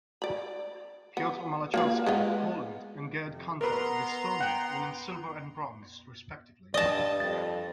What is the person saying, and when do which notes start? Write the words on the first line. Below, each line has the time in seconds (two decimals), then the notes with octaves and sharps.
Piotr Malachowski of Poland and Gerd Kanter of Estonia winning silver and bronze, respectively.
0.22 D5 B5
1.17 B3
1.74 A#3 F4 B4
2.06 G#3 B3 F4
3.24 F2 C3
3.61 B3 A#4 B4 A#5 C6
4.41 F#5 G5
6.74 G2 D5 D#5 A5
7.20 F2 A6